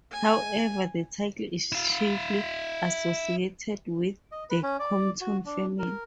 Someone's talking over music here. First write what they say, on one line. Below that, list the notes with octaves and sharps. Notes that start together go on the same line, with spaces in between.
However, the title is chiefly associated with the Compton family.
G#5
E4 F5
D#5
B4
C#4
D5
F#4
D4
A#4